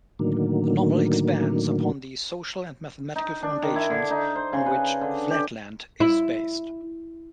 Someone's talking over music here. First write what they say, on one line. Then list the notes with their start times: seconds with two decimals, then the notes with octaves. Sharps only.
The novel expands upon the social and mathematical foundations on which "Flatland" is based.
0.19 A2 D3 D#3 F#3 A#3
3.16 D#4
3.42 D4
3.63 D#3
3.76 E4
3.90 D3
4.10 D#4
4.35 C5
4.53 C#3
4.66 B4
5.01 D3
5.30 G4
6.00 E4